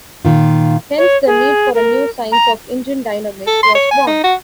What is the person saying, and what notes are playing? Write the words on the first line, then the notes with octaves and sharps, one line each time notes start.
Hence the need for a new science of engine dynamics was born.
A#2 D#3 F4
C#5
G#4
A#4
A#5
A4
C6
C#5
G#5
D#4
F#4